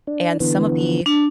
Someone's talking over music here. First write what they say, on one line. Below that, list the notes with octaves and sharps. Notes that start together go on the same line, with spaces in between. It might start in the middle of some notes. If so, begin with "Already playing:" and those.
and some of the
D4
D3 E3 B3
D4